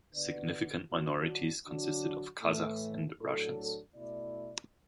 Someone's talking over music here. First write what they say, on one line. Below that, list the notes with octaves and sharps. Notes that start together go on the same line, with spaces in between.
Significant minorities consisted of Kazakhs and Russians.
D3 B3 F#4 B4 D5
D3 F#3 D4 F#4
D3 F#3 D4 F#4
A2 E3 A3
A2 F#3 D4 A4
B2 A3 E4 D5